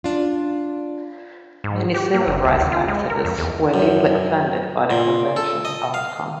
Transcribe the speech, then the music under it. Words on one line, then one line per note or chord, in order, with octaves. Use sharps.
Many civil rights activists were deeply offended by the convention's outcome.
D4 F4
G#2
G4
A#3
F#1
C#2
D#2
F4
G#3
A#4
F2
E2
F#2
A#2
A4
D#5
F5